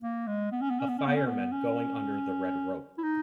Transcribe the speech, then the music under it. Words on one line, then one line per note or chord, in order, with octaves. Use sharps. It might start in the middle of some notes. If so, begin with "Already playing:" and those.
A fireman going under the red rope.
A#3
G#3
B3
C#4
B3
C#4
B3
C#4
B3
C#4
B3
C#4
E4
D#4